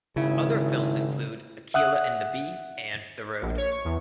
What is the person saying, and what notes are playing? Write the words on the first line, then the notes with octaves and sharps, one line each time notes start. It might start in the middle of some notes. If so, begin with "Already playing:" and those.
Other films include "Akeelah and the Bee" and "The Road".
G#1 C#3 E4
E5 F#5 D#6 F#6
A#1
C#5
C#6
E2